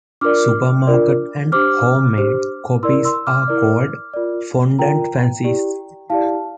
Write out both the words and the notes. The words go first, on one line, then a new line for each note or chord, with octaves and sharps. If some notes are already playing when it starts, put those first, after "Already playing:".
Supermarket and home-made copies are called Fondant Fancies.
D4 F4 A#4 D5 D6 F6
D4 F4 A#4 D5
D4 G4 C5 D6 F6
D4 G4 C5
E4 A#4 D5 C6 E6
C6 E6
D6 F6
E4 A#4 D5
F4 A#4 D5
F4 A#4 D5 G5 A#5
E4 G4 D5
E4 G4 D5 F5 A5